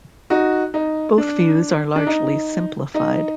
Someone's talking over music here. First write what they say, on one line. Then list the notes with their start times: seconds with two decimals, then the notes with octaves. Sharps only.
Both views are largely simplified.
0.30 D#4 F#4
0.74 D#4
1.18 D4
1.96 D4
2.07 D#4
2.94 D#4